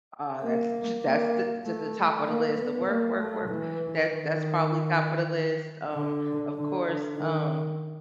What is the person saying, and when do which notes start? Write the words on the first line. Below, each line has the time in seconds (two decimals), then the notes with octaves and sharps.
uh, that's that's the the top of the list, the “work, work, work,” that's that's probably top of the list, um, of course, um,
0.43 A#3
1.05 A#3
1.65 A3
2.27 A#3
2.58 B3
2.88 A#3
3.19 A3
3.49 E3
4.11 D#3
5.94 D3
6.56 D3
7.16 D#3